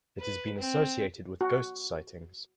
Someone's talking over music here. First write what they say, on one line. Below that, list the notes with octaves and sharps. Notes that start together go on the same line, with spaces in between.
It has been associated with ghost sightings.
B4
C4
F#4